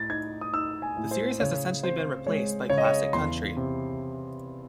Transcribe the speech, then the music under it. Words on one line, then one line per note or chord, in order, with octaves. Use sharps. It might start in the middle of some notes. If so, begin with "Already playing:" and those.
The series has essentially been replaced by Classic Country.
Already playing: A2 A6
D#4 G#6
D#6
D#4 E6
G#5
A2
C5
C#3 C#5
C4 C5
G#3 C#5
C#3 C#5
D#5
C#5
E2 C6
C3